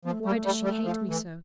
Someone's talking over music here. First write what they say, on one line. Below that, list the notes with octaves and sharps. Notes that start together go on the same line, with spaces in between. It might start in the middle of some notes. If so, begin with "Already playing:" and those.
Why does she hate me so?
F3 B3
A3
G3 A3
G3
G3
F3
E3